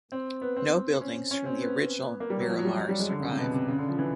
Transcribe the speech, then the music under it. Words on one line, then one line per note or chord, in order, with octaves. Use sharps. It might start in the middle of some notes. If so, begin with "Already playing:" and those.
No buildings from the original Miramar survive.
C4
B3
C4
C#4
C#4
C4
B3
A#3
G3
F#3
F3
F#3
G3
F#3
G3
G#3
D3
C#3
C3
B2
C3
C#3
D3
F3
E3